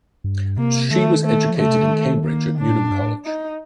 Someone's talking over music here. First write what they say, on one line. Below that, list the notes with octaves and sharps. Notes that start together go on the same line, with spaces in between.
She was educated in Cambridge at Newnham College.
G2
C3 A#3
D#3 A3
A3
F3
D#3 A3
D3
C3
D3
D#3
A#3
D3 D4
A2
A#2
G2
A2
D#4